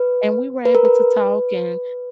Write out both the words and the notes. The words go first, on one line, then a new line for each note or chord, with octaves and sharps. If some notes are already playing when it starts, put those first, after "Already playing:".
and we were able to talk, and
Already playing: B4
B4
A#4
B4